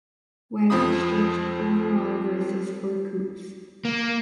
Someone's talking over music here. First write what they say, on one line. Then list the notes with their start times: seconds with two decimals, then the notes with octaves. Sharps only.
Wagons stretched overall versus for coupes.
0.70 F2 F3 C4 A4 B5 D#6
3.85 A#3